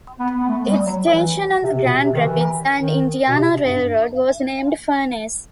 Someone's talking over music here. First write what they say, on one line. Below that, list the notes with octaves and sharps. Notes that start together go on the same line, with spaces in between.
Its station on the Grand Rapids and Indiana Railroad was named "Furnace".
B3
B3
A3
G3
F#3
E3
C3
C3
B2
C3
D#3
E3
D#3
B2
C3
G2